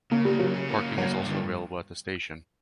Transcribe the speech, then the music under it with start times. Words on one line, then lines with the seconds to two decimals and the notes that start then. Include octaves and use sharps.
Parking is also available at the station.
0.11 C#3 A#3
0.25 G3 A#3
0.40 C#3 F#3
0.54 C#4
0.69 A#3
0.84 C#3
0.98 F#3 A#3
1.12 G2
1.26 D3